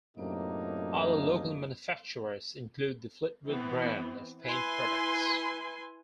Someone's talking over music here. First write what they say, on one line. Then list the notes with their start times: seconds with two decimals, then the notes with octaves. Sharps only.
Other local manufacturers include the Fleetwood brand of paint products.
0.17 F#2 A2 C3 A#3 D4 D#4
3.48 E3 B3 C4
4.44 E4 B4 G#5 C6